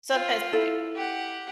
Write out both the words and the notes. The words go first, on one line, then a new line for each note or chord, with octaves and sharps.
Sometimes they do.
F4
E4 A4
G4 F#5